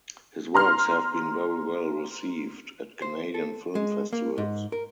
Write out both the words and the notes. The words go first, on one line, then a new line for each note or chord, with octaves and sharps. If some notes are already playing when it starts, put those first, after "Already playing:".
His works have been very well received at Canadian film festivals.
A#5 C6 F6
C5
A4
G#3
A#3
G#2
A#4